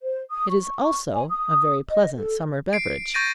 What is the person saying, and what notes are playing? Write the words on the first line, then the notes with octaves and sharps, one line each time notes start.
It is also a very pleasant summer beverage.
C5
D#6
C#6
G#5
D#6
D#5
A4
C7 D7
C#6 G6 A6 A#6 D#7